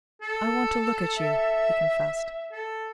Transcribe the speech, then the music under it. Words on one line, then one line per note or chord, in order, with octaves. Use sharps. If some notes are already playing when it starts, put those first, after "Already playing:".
"I want to look at you," he confessed.
A4
E5
A4